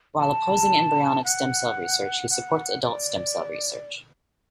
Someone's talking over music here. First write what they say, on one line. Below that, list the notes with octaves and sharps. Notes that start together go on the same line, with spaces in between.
While opposing embryonic stem cell research, he supports adult stem cell research.
A5
F#5
F#5
D5